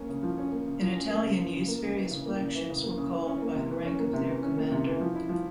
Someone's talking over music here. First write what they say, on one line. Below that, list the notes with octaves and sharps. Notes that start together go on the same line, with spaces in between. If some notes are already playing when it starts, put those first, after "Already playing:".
In Italian use, various flagships were called by the rank of their commander.
Already playing: A#3 C#4
C#3
F3
C#4
A#3
C#3
F3
C#4
A#3
C#3
F3
C#3
A#3
C#3
E3
C#3
A#3
C#3
E3
C#3
A#3
C#3
E3
C#4
A#3
C3
E3
C#4
A#3
C3
E3
C#4
A#3
C3
E3
F3
E4
F3